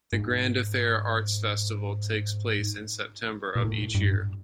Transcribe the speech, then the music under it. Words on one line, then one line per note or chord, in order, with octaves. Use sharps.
The Grand Affair Arts Festival takes place in September of each year.
G#2
A#2
A2
G2